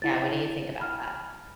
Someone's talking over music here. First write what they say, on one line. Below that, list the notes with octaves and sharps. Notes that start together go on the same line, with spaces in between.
Yeah, what do you think about that?
E4 A6
B5 F6